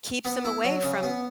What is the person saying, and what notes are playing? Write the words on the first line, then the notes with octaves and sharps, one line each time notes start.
keeps them away from
B3
E4
F#3
C#3
B3